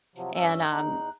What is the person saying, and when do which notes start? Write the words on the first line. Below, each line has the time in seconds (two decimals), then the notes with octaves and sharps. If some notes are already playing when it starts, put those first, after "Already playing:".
and, um,
0.16 C3 F3 F#3
0.35 G2 C#4 E5 E6
0.70 E2 D#4 F#6